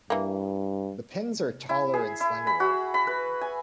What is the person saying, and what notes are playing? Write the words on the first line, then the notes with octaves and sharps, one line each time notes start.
The pins are taller and slenderer.
G2 E3 A#3
E4
G#4
E4
B5
F#4
B5
B4
G#5